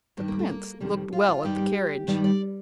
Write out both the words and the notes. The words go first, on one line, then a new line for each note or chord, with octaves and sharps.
The prince looked well at the carriage.
G2 D#3 G3 D4
A#3
A3
A#3
F2 C3 D#3 G3
F4
F4
G2 D#3 G3 G4
G2 D#3 G3 D5
D5